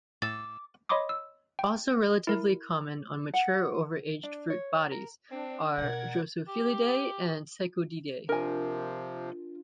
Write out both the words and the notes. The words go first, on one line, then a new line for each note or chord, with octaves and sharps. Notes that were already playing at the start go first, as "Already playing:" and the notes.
Also relatively common on mature or overaged fruit bodies are Drosophilidae and Psychodidae.
A2 D6 E6 A6
C#5 D#5 B5 C6 D6 D#6
E6
G5
E4 A#4
F#5
D4
C#5
A#4
C4 D4
B2 G#3 A#4 D5 F#5 G#6
G4
C3 F3 D4 F4 A#4 G#5